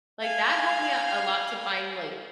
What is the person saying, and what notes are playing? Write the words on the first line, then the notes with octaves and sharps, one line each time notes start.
like, that helped me out a lot to find, like,
F5 G#5